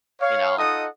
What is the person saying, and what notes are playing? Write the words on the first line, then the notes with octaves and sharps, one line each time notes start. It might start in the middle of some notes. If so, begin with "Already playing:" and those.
you know?
C#5 F5
D#4 F4 A4 D#5 F#5 D#6